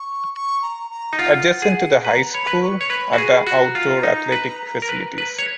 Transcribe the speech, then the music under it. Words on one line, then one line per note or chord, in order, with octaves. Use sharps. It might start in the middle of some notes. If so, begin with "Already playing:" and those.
Adjacent to the high school, are the outdoor athletic facilities.
Already playing: C#6
C#6
A#5
A#5
D#4
F4 F#5
G#4
B4 A#5
C#5 B5
B4
C#6
C#5 C#6
B4 B5
F#4 C#6
G#4
B5
F#4
A#5
F4
D#4
B4
A#4
B4
B4
C#5